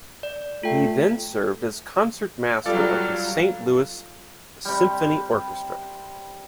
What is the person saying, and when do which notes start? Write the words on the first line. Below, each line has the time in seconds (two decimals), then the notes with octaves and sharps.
He then served as concertmaster of the Saint Louis Symphony Orchestra.
0.23 D5
0.63 A3 F4 G5
2.66 F#3 G3 F4 A4 D5 F5
4.65 C3 G3